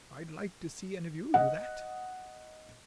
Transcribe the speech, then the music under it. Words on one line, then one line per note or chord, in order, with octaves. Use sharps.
I'd like to see any of you do that!
D#5 F#5